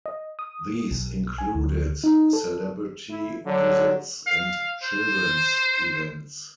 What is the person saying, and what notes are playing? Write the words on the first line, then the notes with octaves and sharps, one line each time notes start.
These included celebrity visits and children's events.
D#5
D#6
B1
G#5
D2
D#4
A4
E4
D3 F#3
F5
C5